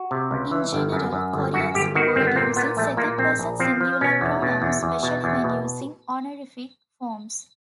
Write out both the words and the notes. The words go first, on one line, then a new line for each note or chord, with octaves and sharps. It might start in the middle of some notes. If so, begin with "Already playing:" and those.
In general, Koreans avoid using second person singular pronouns, especially when using honorific forms.
Already playing: F#4
C3
C#2
E3
G1
F#2
F#2
G1
F#2 F#4
G1 G4
D#3 F#4
G1 C4
B3
A#2 C4
A#2 B3
A#1 A3
A#2 A#3
A#1 C4
A#1
F3 C4
F3
B2 C#4
E2
B2
E2
E2
B2
E2
B2